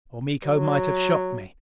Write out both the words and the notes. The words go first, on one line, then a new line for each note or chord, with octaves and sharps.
Or Miko might have shot me.
F#3